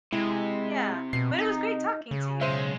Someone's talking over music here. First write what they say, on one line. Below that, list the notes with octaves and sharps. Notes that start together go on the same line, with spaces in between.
Yeah, but, it was great talking to you.
C3 G#3 E4
B2 C7
D#4
C#3
B1 G#3 C5 E5